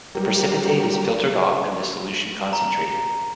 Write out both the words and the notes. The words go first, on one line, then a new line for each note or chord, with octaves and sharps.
The precipitate is filtered off and the solution concentrated.
F#3 G3 G4 A#4
A#5